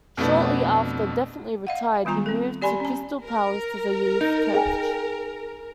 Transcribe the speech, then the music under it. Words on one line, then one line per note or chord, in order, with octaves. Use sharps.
Shortly after, definitely retired, he moved to Crystal Palace as a youth coach.
F2 B2 A3 B3 D4
D#5 F5 F#5
D#3 G3 B3 F4 A#5
C4 A4
G4 D5 G#5 B5 C6
C#4 A5
A#4
D#4
G#4 G5 G#5